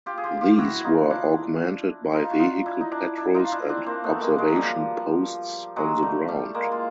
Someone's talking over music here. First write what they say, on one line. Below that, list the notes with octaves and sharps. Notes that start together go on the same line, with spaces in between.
These were augmented by vehicle patrols and observation posts on the ground.
F4 G4
G#4
F4 G4
F4 G4
E4 F#4
D#4 F4
D4 E4
D#4 F4
F#4
D#4 F4
D4 E4
D#4
D4 E4
D4 E4
D#4 F4
F4
D4 E4
C4 D4
A#3 C4
A3 B3
G#3 A#3
F#3 G#3
F3 G3
F#3 G#3
G3 A3
G3 A3
G#3 A#3
F4